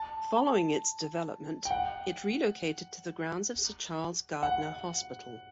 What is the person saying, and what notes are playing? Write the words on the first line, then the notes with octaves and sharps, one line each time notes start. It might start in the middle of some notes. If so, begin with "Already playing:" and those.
Following its development, it relocated to the grounds of Sir Charles Gairdner Hospital.
Already playing: A5
G5
F#5
F#5